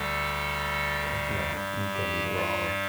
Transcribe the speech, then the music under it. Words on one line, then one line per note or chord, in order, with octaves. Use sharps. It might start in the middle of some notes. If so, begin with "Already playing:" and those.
If not, you can be wrong.
Already playing: D2 D3 G3 A4
G2 G3
G4
F4